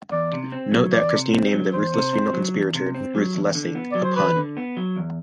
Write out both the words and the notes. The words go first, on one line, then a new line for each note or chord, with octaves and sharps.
Note that Christie named the ruthless female conspirator "Ruth Lessing", a pun.
E2 D5
C3
C4
F#3
E2 D5
C3
C4
F#3
E2 C5
C3
C4
F#3
E2
C3
C4
F#3
E2
D3
B3
F#3 D5
C5
E2 B4
D3
B3
F#3
E2